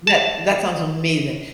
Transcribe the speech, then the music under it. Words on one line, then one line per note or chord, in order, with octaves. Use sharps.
That that sounds amazing.
A5